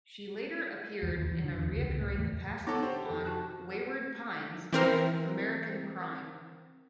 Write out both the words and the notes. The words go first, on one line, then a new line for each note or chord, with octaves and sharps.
She later appeared in a reoccurring capacity on "Wayward Pines" and "American Crime".
E2
D#2
E3
D3
E2
C#2
C#2
A2
E2
B3 D#4 A4 C#5 F#5 D6 A#6
G4 C5
F2 A4
F#4 A5 F#6
E3 C4 A#4